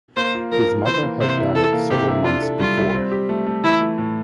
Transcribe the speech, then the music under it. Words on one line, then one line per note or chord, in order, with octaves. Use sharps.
His mother had died several months before.
A#3 C5
F4
F3 A#4
A#4
E3 C5
A#3
C3 C5
E4
E3 A4
A#3
C3 G4
E4
D4 F4
A4
G3 F4
G3
C4
G4
A3
A3
E3 E4
A3
A2